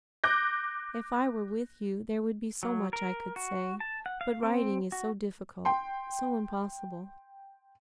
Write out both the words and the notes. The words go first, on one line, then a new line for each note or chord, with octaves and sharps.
If I were with you, there would be so much I could say; but writing is so difficult, so impossible.
D6 F#6 G6 A#6
F#3
A#4
F#4
A5
F#5
F5
C4
F#4
G5 C6